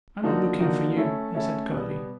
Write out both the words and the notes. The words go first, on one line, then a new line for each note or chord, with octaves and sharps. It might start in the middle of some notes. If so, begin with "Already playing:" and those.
"I am not looking for you," he said curtly.
D3 F3 A#3 D#4 F#4
D3 F3 A#3 D#4 F#4
A3 C#4 E4 A4
A3 C#4 E4 A4
B2 G3 B3